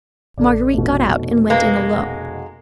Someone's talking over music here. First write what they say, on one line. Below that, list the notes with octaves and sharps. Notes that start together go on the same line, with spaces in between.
Marguerite got out and went in alone.
A1 C#3 A4 D5
F1 B2
G#3 A#3 B4
F#5